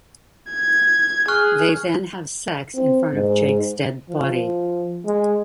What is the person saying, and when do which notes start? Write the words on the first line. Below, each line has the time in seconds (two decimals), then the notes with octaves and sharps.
They then have sex in front of Jake's dead body.
0.50 G#6
1.28 G#4 C#6 F6 F#6
2.75 C4
3.14 G#2
4.10 F3
5.05 G#3